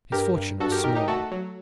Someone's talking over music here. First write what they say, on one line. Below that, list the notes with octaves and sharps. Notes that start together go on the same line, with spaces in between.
His fortune was small.
G2 G4 A#4
G2
G2 F#4 A4
G4 A#4
D#3 G4 A#4
D#4 G4
A3 F#4 A4
F#3